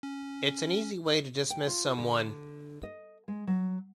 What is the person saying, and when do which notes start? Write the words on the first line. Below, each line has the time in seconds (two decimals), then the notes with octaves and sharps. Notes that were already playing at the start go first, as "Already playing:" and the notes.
It's an easy way to dismiss someone.
0.03 C#4
1.50 G5
1.67 F4
1.98 D3
2.83 D#5
3.28 G#3
3.47 F#3